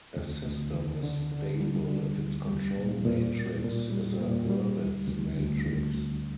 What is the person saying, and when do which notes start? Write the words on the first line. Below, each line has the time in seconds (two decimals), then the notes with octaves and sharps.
A system is "stable" if its control matrix is a Hurwitz matrix.
0.16 D2
0.45 D2
0.74 D3
1.03 D3
1.31 D3
1.60 G3
1.90 D3
2.18 D2
2.48 G3
2.77 A#2
3.05 A#2
3.35 A#3
3.64 A#2
3.92 G3
4.21 A#2
4.50 G3
4.79 D2
5.07 D2
5.37 D2
5.66 D2
5.94 D2